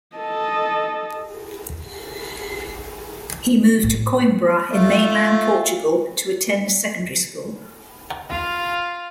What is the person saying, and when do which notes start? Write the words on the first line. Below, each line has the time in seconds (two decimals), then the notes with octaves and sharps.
He moved to Coimbra in mainland Portugal to attend secondary school.
0.16 A4 D#5
3.84 A2
4.71 A3 F4
8.30 F4 F5